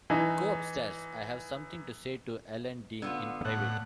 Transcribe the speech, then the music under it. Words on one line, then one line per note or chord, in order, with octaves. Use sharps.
Go upstairs; I have something to say to Ellen Dean in private.
E3 D#4
D3 B3 F4
A2 F#5